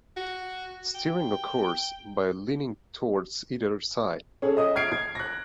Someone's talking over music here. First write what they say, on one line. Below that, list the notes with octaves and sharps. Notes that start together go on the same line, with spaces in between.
Steering occurs by leaning towards either side.
F#4
G5
C#4 G#4 A4
D#5 E5 D#6
F6 G#6 C7 D7
G#6
F#6 A#6